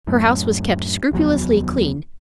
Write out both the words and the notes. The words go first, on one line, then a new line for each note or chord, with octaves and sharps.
Her house was kept scrupulously clean.
F#2 A2
F1 D#2 F#3 B3